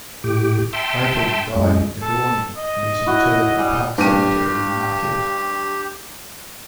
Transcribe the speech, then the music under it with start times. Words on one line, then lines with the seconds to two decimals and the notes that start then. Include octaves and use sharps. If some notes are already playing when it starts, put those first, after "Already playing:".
Breitung died in Negaunee and is interred in Park Cemetery in Marquette.
0.24 A2 G4
0.73 E5 G5 A5 C6
1.55 F#2 G#3
2.01 A4
2.57 D#5
3.06 E4 F#4 C#5
3.58 G3 G#4 D#5
3.98 G2 G4 D#7